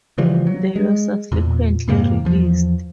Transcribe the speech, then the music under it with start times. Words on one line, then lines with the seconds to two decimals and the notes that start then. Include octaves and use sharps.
They were subsequently released.
0.18 C#3 E3 F3 G3
0.47 F#3
0.76 G#3
1.32 E2 A#2
1.88 F2 G#2 C3 A#3
2.25 E2 F3